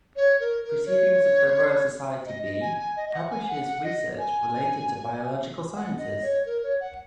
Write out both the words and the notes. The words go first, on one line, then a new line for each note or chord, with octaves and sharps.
"Proceedings of the Royal Society B" publishes research related to biological sciences.
C#5
A#4
A#4
C#5
D#5
D#5
G#5
G#5
D#5
D#5
F#5
G#5
F#5
F#5
D#5
G#5
F#5
D#5
C#5
A#4
C#5
F#5